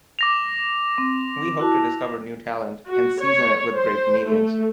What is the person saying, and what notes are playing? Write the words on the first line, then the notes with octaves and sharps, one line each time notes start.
We hope to discover new talent and season it with great comedians.
D6 A#6 F7
C4
E4 F#4 A5
F#4
C#5
C5
A3